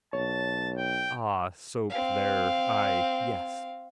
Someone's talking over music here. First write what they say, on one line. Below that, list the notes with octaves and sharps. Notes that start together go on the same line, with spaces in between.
Ah soap there I yes.
B1 C#5 A5
G5
C4 F5